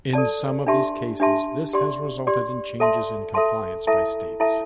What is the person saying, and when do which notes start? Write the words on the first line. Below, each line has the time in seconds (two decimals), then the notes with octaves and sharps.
In some of these cases, this has resulted in changes in compliance by states.
0.13 A4 D5 A5
0.67 D4 G4 E5 A5 C6
1.20 D4 G4 E5 A5 C6
1.73 G4 D5 C6
2.27 G4 D5 C6
2.80 A4 E5 A5 C6
3.34 A4 E5 A5 C6
3.87 E4 A4 E5 A5
4.40 E4 A4 E5 A5